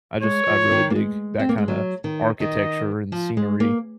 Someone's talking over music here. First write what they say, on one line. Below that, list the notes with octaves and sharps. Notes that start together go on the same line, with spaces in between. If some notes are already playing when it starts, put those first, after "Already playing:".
I just I really dig that kinda architecture and scenery,
G#3 C#5
F3
D#3
A#3
G#3
C4
A#3
G#3
F#3
D#3
D#3 D#5
F3
G#3
A#3